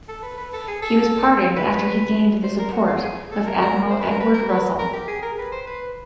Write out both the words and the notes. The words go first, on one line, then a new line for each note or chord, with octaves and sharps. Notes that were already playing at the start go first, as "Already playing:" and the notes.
He was pardoned after he gained the support of Admiral Edward Russell.
A4
B4
B4
A4
G#4
A4
B4
B4
C5
A#4
F#4
F4
G#4
A4
A#4
A#4
C5
B4
A#4
B4
A#4
B4
A#4
G4
G#4
A#4
B4
C5
B4